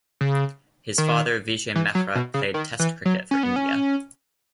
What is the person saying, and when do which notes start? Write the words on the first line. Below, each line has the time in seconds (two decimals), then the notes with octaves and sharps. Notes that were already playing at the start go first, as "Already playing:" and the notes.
His father Vijay Mehra played Test cricket for India.
0.21 C#3
0.98 D#3
1.75 E3
1.95 F#3
2.15 B2
2.34 C#3
2.54 D#3
2.79 E3
3.05 F#3
3.31 C#4
3.43 B3
3.56 C#4